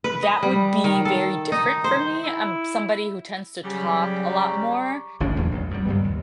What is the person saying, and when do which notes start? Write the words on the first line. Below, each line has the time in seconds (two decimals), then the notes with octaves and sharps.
that would be very different for me. I'm somebody who tends to talk a lot more.
0.04 B4
0.22 D#5
0.43 G3
0.84 D#3
1.05 A4
1.52 D#4
1.84 C5
2.23 E4
3.64 C#3 F#3 G3 G#5
4.31 A#5 C#6 D6
5.20 G1 D2 C#4 D4
5.36 F1 E2 A#2 A3
5.52 B1
5.71 F#2 G3
5.85 C#2 G2 G3 B3
6.04 D#2